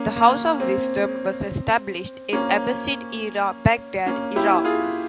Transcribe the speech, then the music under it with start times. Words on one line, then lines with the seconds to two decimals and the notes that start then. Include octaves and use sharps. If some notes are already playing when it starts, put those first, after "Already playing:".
The House of Wisdom was established in Abbasid-era Baghdad, Iraq.
Already playing: A#3 C#4
0.16 A#3
0.60 C4
2.33 A#3 C#4
4.06 A#3 C#4
4.36 E4 G4
4.65 F4 G#4